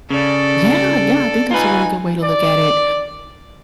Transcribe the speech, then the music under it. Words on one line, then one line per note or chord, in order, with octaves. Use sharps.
Yeah, yeah, I think that's a really good way to look at it.
C#3 A4 D5
D#4 F4 B4 G#5
D5